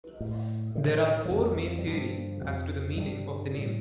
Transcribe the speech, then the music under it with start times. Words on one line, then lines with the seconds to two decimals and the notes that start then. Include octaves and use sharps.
There are four main theories as to the meaning of the name.
0.20 A2
0.75 A2
1.25 F3
1.30 F2 D3 D#3
1.50 D#3
1.68 F3
1.78 G3
1.87 G2 D3 F3
2.41 F2 C3
2.97 G2 D3 G3
3.53 A2